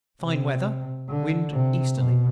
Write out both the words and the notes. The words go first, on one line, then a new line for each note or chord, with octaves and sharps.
Fine weather: wind easterly.
C3
D3
C3
B2